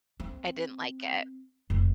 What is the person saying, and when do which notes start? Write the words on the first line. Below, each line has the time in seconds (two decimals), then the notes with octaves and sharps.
I didn't like it.
0.20 C4
1.70 F1